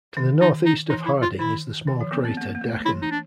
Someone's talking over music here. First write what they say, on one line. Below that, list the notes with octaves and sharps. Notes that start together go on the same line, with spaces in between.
To the northeast of Harding is the smaller crater Dechen.
D#3
D#3 D#4
D#4
E3 D#4
E4
F4
D#3 E4
D#3
F3
B3
C4
A#3
A#3
A3
E3 E4
D#4
D4